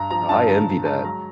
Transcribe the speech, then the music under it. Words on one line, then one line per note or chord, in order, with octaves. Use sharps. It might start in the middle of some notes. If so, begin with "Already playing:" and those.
I envy that.
Already playing: G2 A#5
F3 A#5
G2 A5
D3 A5
D3
G#3 A5
F#3 A#5